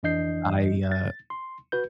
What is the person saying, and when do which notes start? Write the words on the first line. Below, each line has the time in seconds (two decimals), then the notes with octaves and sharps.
I, uh
0.03 F2 E3 D4 D#5 G6 C7
0.92 A6
1.30 C6
1.72 F#4 B4 G6